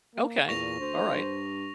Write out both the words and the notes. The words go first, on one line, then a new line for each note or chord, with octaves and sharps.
Okay. Alright.
A#3
E2 A#2 C#6 A#6 F7
D2 C5
G2